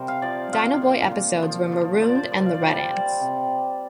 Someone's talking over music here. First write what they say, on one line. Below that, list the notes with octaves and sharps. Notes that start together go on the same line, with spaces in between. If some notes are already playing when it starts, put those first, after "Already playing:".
Dino Boy episodes were "Marooned" and "The Red Ants".
Already playing: C3 G3 A#4 C5
F5
F3 D5
F3 F5
A#2
A#2
F3
F3
A#2 D5
C5
A#2 D5
F5
D5
G3 C5
D5
G3
C3